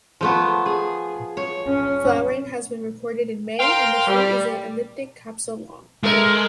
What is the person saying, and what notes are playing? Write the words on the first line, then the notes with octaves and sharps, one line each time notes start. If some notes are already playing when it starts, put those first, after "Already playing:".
Flowering has been recorded in May and the fruit is an elliptic capsule long.
F3 A3 B3
G#4
C#5
C#4
A#4 C5 F5 G5 C6
G3
G#3 A3 A#4